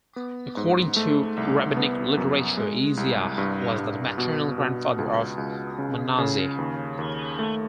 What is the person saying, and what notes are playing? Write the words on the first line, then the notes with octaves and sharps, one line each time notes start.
According to rabbinic literature, Isaiah was the maternal grandfather of Manasseh.
B3
G#2
A3
C2
B3
F#2
G#3
C2
G2
G2
B2
B2
C#2
C#2
C#3
C#3
D#2
D#2
A3